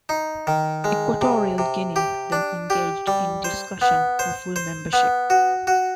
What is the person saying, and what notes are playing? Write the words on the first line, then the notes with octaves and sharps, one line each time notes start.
Equatorial Guinea then engaged in discussion for full membership.
D#4
D#3
G#3
C3
C3
G4
D4
G4
G3
C5
B3
C5
C5
B3
F#4
F#4